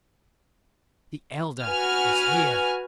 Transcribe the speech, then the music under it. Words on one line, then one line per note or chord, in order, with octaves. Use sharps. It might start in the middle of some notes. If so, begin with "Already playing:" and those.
"The elder is here."
F#4 B4 G#5 F6